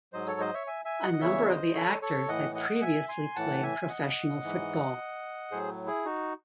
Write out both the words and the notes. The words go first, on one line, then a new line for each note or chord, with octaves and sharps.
A number of the actors had previously played professional football.
G#2 F#3 C5 D#5
A4 C#5
C5 D#5
C#5 E5
E5 G#5
E5 G#5
D#5 F#5
D#5
E2 C#3 E3 C#5 E5
C5 D#5
A4 C#5
A4 C#5
A2 E3 D#5 F#5
D#5 F#5
E5 G#5
G#5 C6
A2 E3 F#5 A5
E5 G#5
E5
D#5 F#5
G#2 E3
A2 F#3 G#4 C5
E4 G#4
D#4 F#4